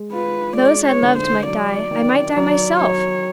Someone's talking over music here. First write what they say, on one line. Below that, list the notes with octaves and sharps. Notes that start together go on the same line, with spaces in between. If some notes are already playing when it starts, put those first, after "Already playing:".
Those I loved might die; I might die myself.
Already playing: G#3
F4 B4
G#3 D5
C#5
D3
C5
F#3 D5
D#3
F#3 D5
F#3 C#5